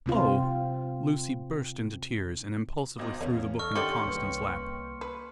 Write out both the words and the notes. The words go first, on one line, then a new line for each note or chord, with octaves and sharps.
"Oh!" Lucy burst into tears and impulsively threw the book into Conniston's lap.
C3 C4 F4
G#1 B2 D#5
E2 A#3 C#4
A4 D5 D#5 C#6 F6
D3 D#3 A3 C#4 G4 D5 C6 C#7
C2 A#3 B4
B4